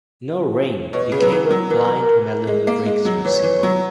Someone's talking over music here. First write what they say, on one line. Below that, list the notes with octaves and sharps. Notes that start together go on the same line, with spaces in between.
"No Rain" became Blind Melon's breakthrough single.
B2 C#5
C#3
B4
F#3
E3
A#4
F#3
E3 A#4
G#3
A#3
G#3
F#3
E3 C#5
E3
F#3